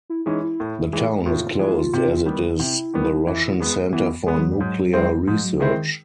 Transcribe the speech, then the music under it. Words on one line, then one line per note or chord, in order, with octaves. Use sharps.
The town is closed as it is the Russian center for nuclear research.
E4
E3 G#3 C#4 D#4
E4
A2
E3 G#3
A2 F4
E3 G#3
C3
D#3 G3 B3
C3 E4
D#3 G3 B3
E3
G#3 B3
E3 B3
G#3 B3
F#3
G3
G#2 F#3
D#3 G#3 C4 E4
G#2 F3
F#3
D3 D#3 G#3 C4 E4
D#3